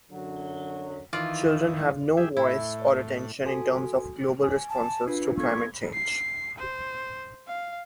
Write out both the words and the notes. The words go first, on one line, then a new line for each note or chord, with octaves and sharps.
Children have no voice or attention in terms of global responses to climate change.
F#2 D3 F#3
D#3 E3 F4 D5
G4 G#4 E5
A2 E4
F#4 A4 G#5
G#5
A5
D4 F4 B4
B3 A4 C#6 G#6
C7
C5
F5